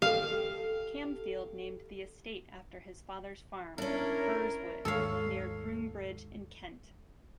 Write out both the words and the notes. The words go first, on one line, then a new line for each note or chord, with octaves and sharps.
Camfield named the estate after his father's farm, Burrswood, near Groombridge in Kent.
G4 A4 F5
C#4 D4 E4 A#4
D#2 G#2 A4 C#5 F5